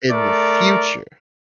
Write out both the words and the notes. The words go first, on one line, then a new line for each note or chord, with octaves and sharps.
in the future
A3 A#4 D5